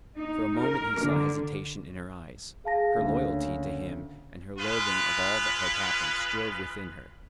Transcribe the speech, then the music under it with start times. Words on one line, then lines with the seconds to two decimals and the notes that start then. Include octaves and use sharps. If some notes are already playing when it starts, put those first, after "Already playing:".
For a moment he saw hesitation in her eyes; her loyalty to him and her loathing of all that had happened strove within her.
0.18 D#4
0.59 A#4
1.00 D3
2.65 G#4 F5 A5 A#6
2.96 F#1 D2 C#4
4.58 G#3 F4 B4